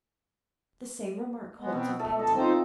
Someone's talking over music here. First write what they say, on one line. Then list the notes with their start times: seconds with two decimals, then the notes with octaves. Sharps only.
The same remark holds of painting.
1.59 G#3 B3
1.72 B2 B3 C4
1.99 A3 A4 E5
2.19 D2 A4 D#5
2.36 C4 D#4 F4 C5